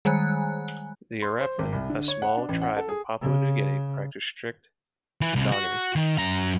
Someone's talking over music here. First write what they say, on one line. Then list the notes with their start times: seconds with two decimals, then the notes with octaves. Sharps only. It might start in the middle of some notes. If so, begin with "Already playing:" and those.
The Urapmin-a small tribe in Papua New Guinea-practice strict endogamy.
0.05 D#3 G3 G#3 G#5 F#6
1.22 C6
1.41 C5
1.59 G#1
1.73 C2
1.90 D3
2.08 C#5
2.22 F#5
2.37 D4
2.49 A1
2.61 F#5
2.76 A4
2.89 G#4
3.21 C#3
5.21 E3
5.35 C2
5.52 F#4
5.95 D#3
6.18 F#2 A#5